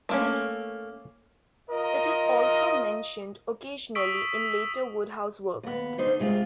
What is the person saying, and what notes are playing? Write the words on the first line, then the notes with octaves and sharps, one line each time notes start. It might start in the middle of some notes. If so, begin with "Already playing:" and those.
It is also mentioned occasionally in later Wodehouse works.
A3 A#3 C#4
F4 A#4 D#5
C#6 D#6 E6 B6 D7
D#2 B3
D3 D#4 C5
C3 G#3 C4 F4